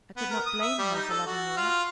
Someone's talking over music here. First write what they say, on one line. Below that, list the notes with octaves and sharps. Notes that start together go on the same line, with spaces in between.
I could not blame her for loving you.
B3
A#4
D#6
E5
G3
D#4
A4
F#4
F4